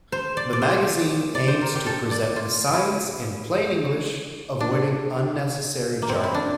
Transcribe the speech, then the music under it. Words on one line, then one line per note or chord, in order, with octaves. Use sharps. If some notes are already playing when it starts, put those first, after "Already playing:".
The magazine aims to present the science in plain English, avoiding unnecessary jargon.
C5
D5
D5
C5
D5
C5
A#4
G4
A4
D5
F4
E4
D4
A#3
C4
E4
D4